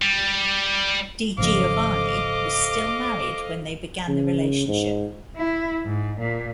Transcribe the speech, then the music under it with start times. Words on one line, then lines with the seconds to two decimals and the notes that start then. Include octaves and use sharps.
Di Giovanni was still married when they began the relationship.
0.02 G3
1.38 G#1 C#3 F3 A4 C5 D#5 F5 D6
4.08 C#3
4.68 G#2
5.37 E4
5.85 G#2
6.20 A#2